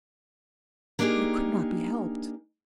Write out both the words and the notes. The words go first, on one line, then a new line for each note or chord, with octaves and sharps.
But it could not be helped.
A#3 D4 D#4 G4 G#4 A#4